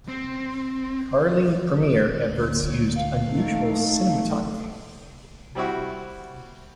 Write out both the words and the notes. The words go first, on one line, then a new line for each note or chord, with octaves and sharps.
Carling Premier adverts used unusual cinematography.
C4
D2
C#5
F5
A3 D#4
G3 C4 E4 F#4